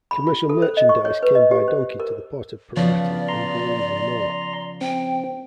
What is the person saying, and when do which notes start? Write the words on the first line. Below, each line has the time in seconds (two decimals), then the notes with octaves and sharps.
Commercial merchandise came by donkey to the port of Parati and grew even more.
0.11 B5
0.27 F4
0.49 A4
0.62 C5
0.77 D#5
0.89 C#6
1.05 C#5
1.23 B4
1.35 D#5
1.51 G4
1.68 C5
2.00 A#4
2.76 C#3 F3 B3 D5
3.28 A#5 C6
4.81 C4 G5